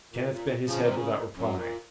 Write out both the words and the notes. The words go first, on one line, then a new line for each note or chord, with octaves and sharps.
Kenneth bent his head without replying.
A#2
A#2
C#3 F3
C3 D#3
C#3
F#2
A#2